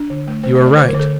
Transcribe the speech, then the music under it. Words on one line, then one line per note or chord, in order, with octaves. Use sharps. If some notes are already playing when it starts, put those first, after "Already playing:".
You are right.
Already playing: D4
D3
A3
A3 C5
A3 C5
D5
D3 C5
A#4
D3
A4